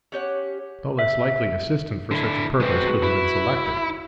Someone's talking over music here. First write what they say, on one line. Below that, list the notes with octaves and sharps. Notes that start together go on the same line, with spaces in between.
No less likely assistant for such a purpose could have been selected.
C#4 G4 C#5 F#5
E5
D3 E4
G#3 C4 F#4 B4
E4